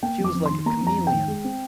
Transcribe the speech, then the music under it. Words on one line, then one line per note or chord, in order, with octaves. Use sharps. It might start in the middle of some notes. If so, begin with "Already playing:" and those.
She was like a chameleon.
A#3 G5
F2
D6
F2
D#3 C6
A#3 A#5
F2
A#5
F2
G5
D#3
G#3
C4